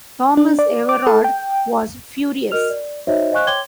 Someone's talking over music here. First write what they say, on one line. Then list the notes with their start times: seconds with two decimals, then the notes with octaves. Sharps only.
Thomas-Everard was furious.
0.37 D4
0.59 D5
0.89 D6
1.07 A4
1.24 G5
2.51 F#4 A#4 D#5 F6 F7
2.70 D5
3.07 D#4 F#4 C5 C#5 D#5 E5
3.31 C5 D#5 F5 G#5 C#6 F#6
3.47 C#5 G5 C6 D6 G#6 G7